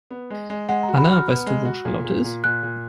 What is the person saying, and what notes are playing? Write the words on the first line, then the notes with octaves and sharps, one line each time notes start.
Anna, weißt du wo Charlotte ist?
B3
G#3
G#3
G#3 F#5
A#5
F#4
B5
F#4 F6
B3
G#3
F#4
A#2
A#2
A#2
A#2 F#6
A#2